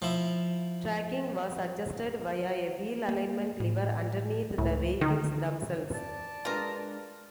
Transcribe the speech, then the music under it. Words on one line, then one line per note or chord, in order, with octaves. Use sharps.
Tracking was adjusted via a wheel alignment lever underneath the vehicles themselves.
F3 E4
A#3
A2
C#2 A2
D3 D#3
D5 A5
G#3 D4 F4 A#4 B4